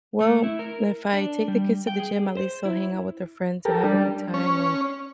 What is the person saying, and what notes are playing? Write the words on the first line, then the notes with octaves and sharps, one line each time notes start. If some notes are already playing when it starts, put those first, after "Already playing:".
"Well, if I take the kids to the gym, at least they'll hang out with their friends, and have a good time, and
A3
E4
A#4
D4
G3
G5
G#4
C5
E4
G4 A4 A#4
G3 D4
C#4